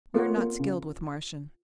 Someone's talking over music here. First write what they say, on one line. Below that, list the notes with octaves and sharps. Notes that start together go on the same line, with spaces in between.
"We are not skilled with Martian."
A#3 F4 A#4 C#5 F#5
A#3
C#3